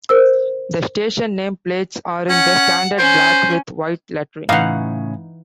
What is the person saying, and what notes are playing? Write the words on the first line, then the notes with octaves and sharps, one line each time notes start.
The station name plates are in the standard black with white lettering.
A#4 C5 E6
C#4 F#5
C#4 C5
A2 C#3 E3 D#4 F5 F#5